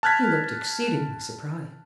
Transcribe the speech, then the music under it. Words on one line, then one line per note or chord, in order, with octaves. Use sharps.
He looked exceedingly surprised.
A5 F6 F#6 G#6 B6